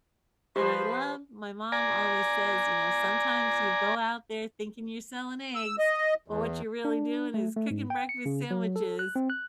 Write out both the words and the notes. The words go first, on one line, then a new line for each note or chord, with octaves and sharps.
and I love My mom always says, you know, "Sometimes you go out there thinking you're selling eggs, but what you're really doing is cooking breakfast sandwiches,"
F3 G4 B4 C5
D5 G#5 A#5
E6
D#5
E2
D4
A3
A3
G#2
G5
C#7
C#3
F#3
A4
F#6
C4
F#6